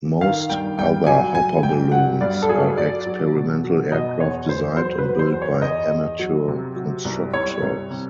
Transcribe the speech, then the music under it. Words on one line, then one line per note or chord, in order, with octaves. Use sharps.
Most other hopper balloons are experimental aircraft designed and built by amateur constructors.
D#3 F5
G2 G5
G2 G5
F#3 G#5
F#3 G#5
G2 G5
F#3 F#5
G2 D5
A4
F#3 G#4
F#3 D5
F#3
B2
F#3
B2 D#5
E2 C#5
E2 C5
F#3 C5
B4
F#3
C5
E2
C#5
E2 D#5
E2
F#3
C3
F#3
C2
C2 C#5
C2
C3